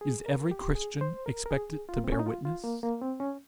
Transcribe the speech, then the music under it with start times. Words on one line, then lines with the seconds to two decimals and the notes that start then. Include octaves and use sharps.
Is every Christian expected to bear witness?
0.01 G#4
0.26 A#4
0.51 G4
0.75 G#4
1.01 C5
1.26 A#4
1.46 A#4
1.51 G#4
1.89 F4
1.97 A#3
2.04 C4
2.12 C#4
2.19 D#4
2.26 F4
2.45 F4
2.64 A#3
2.83 A#3
3.02 C4
3.20 C#4